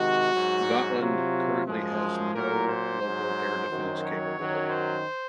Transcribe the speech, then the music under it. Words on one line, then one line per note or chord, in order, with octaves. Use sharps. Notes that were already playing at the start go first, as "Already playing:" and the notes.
Gotland currently has no local air defence capability.
Already playing: C3 D#3 G#3 F#4
G#2 F#3
C3 F#3 F4
F#2 F3 G#3
A#2 F#3 A#4
C5
G#2 F#3
F#2 D#3 F#3
C#5
F#2 D#3 F#3
C5